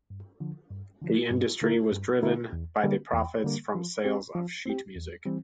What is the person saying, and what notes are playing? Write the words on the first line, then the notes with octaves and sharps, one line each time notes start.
The industry was driven by the profits from the sales of sheet music.
G2
D3 F3
G2
D3 F3
G2
D3 A3 E4 A#4
G2
D3 A3 E4 A#4
E2
D3 G3 A#3
E2
D3 G3 A#3
F3
C4 G4
F3
C4 G4
E2
E3 G3 C4